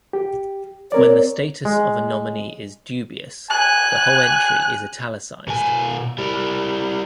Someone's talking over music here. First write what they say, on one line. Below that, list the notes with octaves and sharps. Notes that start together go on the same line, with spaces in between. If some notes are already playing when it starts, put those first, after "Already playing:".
When the status of a nominee is dubious the whole entry is "italicized".
G4
C4 A#4 C#5 D5
G#3
G#5 F#6
B2 G#5
G3 E4